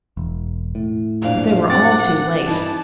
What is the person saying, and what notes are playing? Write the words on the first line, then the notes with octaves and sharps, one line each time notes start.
But they were all too late.
E1
A2
F2 A#2 D4 F5
C4 F#5 D6 A6
G2 E3 D#4 A5